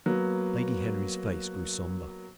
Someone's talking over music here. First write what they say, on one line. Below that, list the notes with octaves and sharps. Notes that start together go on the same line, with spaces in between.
Lady Henry's face grew sombre.
F#3 A#3 B3